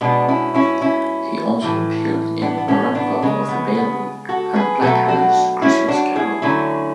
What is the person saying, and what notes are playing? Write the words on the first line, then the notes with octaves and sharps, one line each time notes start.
He also appeared in "Rumpole of the Bailey" and "Blackadder's Christmas Carol".
B2 G#3 B3 D4
C#4 E4
C#4 E4
C#4 E4
A2 E3 A3
B3 D4
B3
A3 C#4
B3 D4
C#3 G#3
B3
B3
F#4 A4
G#4 B4
B2 F#3 A3 F#4 A4
D4 F#4
C#4 E4
D4 F#4
E4 G#4
D3 F#3 A3 C#4 E4